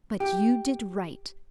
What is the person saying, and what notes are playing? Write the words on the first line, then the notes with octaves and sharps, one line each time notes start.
But you did right.
G4